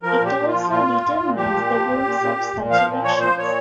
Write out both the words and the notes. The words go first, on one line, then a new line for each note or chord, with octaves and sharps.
It also determines the rules of such elections.
F3 A#4
A#2
G4
A#2
F4
F3
A#2 F4
A#2
A#2
A#2
F3 G4
A#2
F3
A#2
A#2
A#2
A#2
A#2
F3 F5
A#2
F3 C#5
F3 C5
A#2 C#5